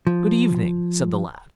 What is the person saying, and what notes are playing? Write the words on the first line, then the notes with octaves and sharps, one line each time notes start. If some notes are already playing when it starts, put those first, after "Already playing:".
'Good evening!' said the lad.
F3